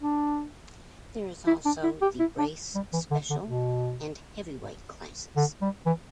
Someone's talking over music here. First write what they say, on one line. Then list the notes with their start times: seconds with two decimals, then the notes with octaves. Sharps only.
There is also the Race Special and Heavyweight classes.
0.01 D4
1.47 E4
1.65 D4
1.83 E4
2.02 G4
2.19 E4
2.38 D4
2.75 G3
2.93 E3
3.11 D3
3.30 D3
3.48 B2
5.37 D3
5.61 G3
5.86 E3